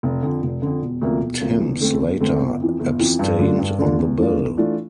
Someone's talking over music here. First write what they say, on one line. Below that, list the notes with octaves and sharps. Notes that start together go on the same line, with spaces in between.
Timms later abstained on the bill.
F1
F2 D3
F1
F2 D3
E1
D2 C3 F3 A#3
E1
D2 C3 F3 A#3
E2
D3 A3 C4
E2
D3 A3 C4
G1
F2 E3
G1
F2 E3
G2
D3 A3 D4 F4
G2
D3 A3 D4 F4
E2
E3 A3 D4 F4
E2
E3 A3 D4 F4